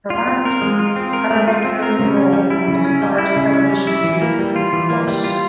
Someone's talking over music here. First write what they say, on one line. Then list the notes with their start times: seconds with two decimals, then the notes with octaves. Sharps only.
Travanti had a recurring role on the Starz television series "Boss".
0.10 F4
0.28 C4
0.45 A#4
0.61 G#3
0.79 F4
0.96 C4
1.13 A#4
1.31 G#3
1.48 F4
1.64 C4
1.82 A#4
1.99 C#3
2.17 C#4
2.33 G3
2.50 E4
2.68 C#3
2.85 C#4
3.02 G3
3.18 E4
3.36 C#3
3.53 C#4
3.70 G3
3.87 E4
4.04 E3
4.22 A#3
4.39 G3
4.56 F4
4.73 E3
4.90 A#3
5.08 G3
5.24 F4